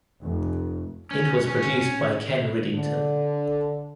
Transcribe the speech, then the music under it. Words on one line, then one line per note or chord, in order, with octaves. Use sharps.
It was produced by Ken Riddington.
F1
C#4
C#4
D3